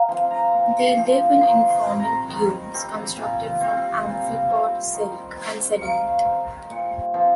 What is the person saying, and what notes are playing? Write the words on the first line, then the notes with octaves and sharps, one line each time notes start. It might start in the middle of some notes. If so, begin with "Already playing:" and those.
They live in infaunal tubes, constructed from "amphipod silk" and sediment.
Already playing: F5 A#5
F3 C4 C6
A#5
A#2
F3 C4
D#3 C6
C6
G3 C4
A#5
D#3
G3 C4
A#2
G3 C4
A#2
G3 C4
D#3
C4
D#3 F5
C4
A#2
F3 C4